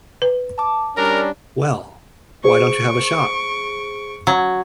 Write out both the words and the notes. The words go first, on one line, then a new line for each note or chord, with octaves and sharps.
Well, why don't you have a shot?
B4
A5 D6
G3 C#4 D4 A#4 A#5
G#4 C5 C#6 D7
F#3